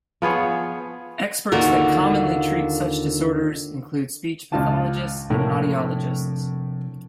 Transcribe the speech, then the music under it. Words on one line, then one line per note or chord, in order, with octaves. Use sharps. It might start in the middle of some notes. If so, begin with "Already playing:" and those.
Experts that commonly treat such disorders include speech pathologists and audiologists.
F3 B3 G#4 C#5
D#2 D3 F4 F#4 A#4
C#2 F4 A5
A2 C3 F3 A#3 D4